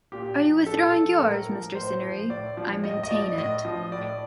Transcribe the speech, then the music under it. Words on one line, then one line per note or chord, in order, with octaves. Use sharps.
Are you withdrawing yours, Mr. Cinieri? I maintain it.
A#2 G4
F3
A#2 A4
F3
A2 A#4
F3
A2 C5
F3
A2 D5
F3
A2 D#5
D#5
F3 D5
A2 D#5
F3
A2 D5